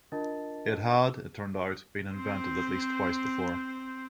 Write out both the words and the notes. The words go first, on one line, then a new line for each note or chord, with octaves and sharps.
It had, it turned out, been invented at least twice before.
D4 F4 A#4 D#5 A5 A6
C4 C5